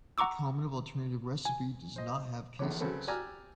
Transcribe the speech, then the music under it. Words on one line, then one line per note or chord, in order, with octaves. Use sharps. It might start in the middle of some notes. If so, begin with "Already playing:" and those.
A common alternative recipe does not have casings.
F#5 A#5 C#6 D6 E6
G#5
C5 D#5
A#1 E2 D3 B3 C#5 D6
C#3 F#3 C4 A4 B4
G4 D5 G#5 A#5 E6 F6